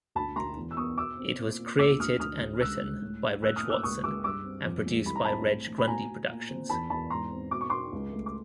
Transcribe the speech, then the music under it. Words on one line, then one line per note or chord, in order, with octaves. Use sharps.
It was created and written by Reg Watson and produced by Reg Grundy Productions.
D2 A5 B5
D2 A#5 C6
E2
E6
B3 C#6 D#6
B2 D6 E6
C4
A#2
A#2
D2 D6 E6
D2 D#6 F6
D2 D#6 F6
D2
F6
C#2 E6 F#6
G#3
A2
A2
A2 E6 F#6
D#6 F6
A#3
D6 E6
C#2 C#6 D#6
C#2 D6 E6
G2 D6 E6
C4
F2
G#3
C2 B5
A#5
C4 A5 B5
A2
A2
B5
B2 G#5 A#5
B2
A#2
C4
E2 A5 B5
E2 A5 B5
G#2 A#5 C6
C4
B2 D6
C#6
B2 C6 D6
C#2
A3
D6